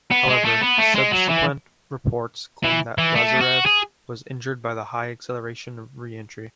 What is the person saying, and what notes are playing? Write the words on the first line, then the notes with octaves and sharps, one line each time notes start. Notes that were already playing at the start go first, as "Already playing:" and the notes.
However, subsequent reports claimed that Lazarev was injured by the high acceleration of re-entry.
B3
G#3
A3
B3
A3
G#3
F#3
E3
E3
E3
A3
F#4
G#4